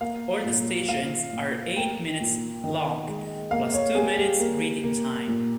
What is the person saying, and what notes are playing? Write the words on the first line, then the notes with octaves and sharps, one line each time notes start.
All the stations are eight minutes long, plus two minutes reading time.
A#3 F5
A#2
A#2 F5
A#2
A#3 G5
A#2
D#3
G#3
A#3 F5
C#5
G3 G#4
G4
A#3
A#3
A#2